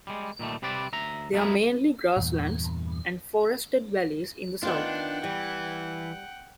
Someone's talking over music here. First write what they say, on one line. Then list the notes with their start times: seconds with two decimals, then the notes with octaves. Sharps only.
There are mainly grasslands and forested valleys in the south.
0.07 G3 G#3
0.39 A#2 D#3 G3 A3
0.62 C3 G3 C4 B4 D5
0.93 D2 E5 A#5
1.33 F#3 A3 B3 D#4 E4 A#4
2.17 E2 G2 A#2
4.63 D#3 B3 D4 F4 F#5 G5
5.24 E3 G3